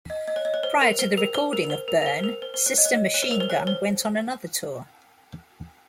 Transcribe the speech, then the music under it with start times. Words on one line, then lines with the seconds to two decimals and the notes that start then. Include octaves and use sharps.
Prior to the recording of "Burn", Sister Machine Gun went on another tour.
0.10 D#5
0.28 D#5
0.36 C#5
0.45 D#5
0.54 C#5
0.63 C5
0.81 A#4
0.99 C5
1.17 A#4
1.35 C5
1.53 A#4
1.65 A#4
1.70 C5
1.88 A#4
2.02 A#4
2.06 C5
2.19 C5
2.24 A#4
2.42 C5
2.54 C5
2.66 C#5
2.78 D#5
2.85 C#5
2.93 D#5
3.14 C#5
3.22 C5
3.31 A#4
3.40 C5
3.50 C#5
3.67 C5